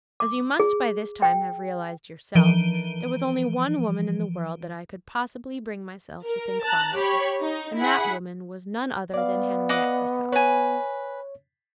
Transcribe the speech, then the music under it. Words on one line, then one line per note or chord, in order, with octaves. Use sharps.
As you must by this time have realized yourself, there was only one woman in the world that I could possibly bring myself to think fondly of, and that woman was none other than Henriette herself.
D6
G#4
G5
E3 F3 D7 D#7 G7
A#4
A5 A#5 F#6
G4 C#5 B5
D#4
E4 G#4 F#5 B5
B3 D5 F5
D#5 F#5 D6
B4 C#5 G#5